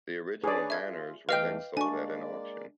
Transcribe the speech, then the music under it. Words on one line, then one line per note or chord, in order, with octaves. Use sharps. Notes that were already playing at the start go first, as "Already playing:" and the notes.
The original banners were then sold at an auction.
D4 G#4 B4 C#5 D5
E5 G#6
F4
E2 E3 A3 B4 D#5 F5 G5 F6
G#3 A#3 D4 D5 G#5 C#6